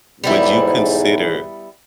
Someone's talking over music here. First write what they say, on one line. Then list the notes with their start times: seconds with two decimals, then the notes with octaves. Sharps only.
would you consider
0.24 B1 E2 G#2 G3 B3 E4